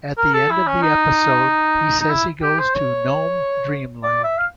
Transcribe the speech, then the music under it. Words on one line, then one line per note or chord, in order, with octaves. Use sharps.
At the end of the episode he says he goes to "Gnome dream land".
A#4
A4
E4
C#4
D#4
D#4
E4
G4
C5
C#5
D5
E5
F5